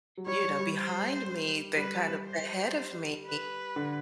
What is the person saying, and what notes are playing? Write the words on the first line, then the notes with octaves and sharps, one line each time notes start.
you know, behind me than kind of ahead of me,"
F#3
G3 C#5
G3
G3
C5
G3 B4
C5
B4
D3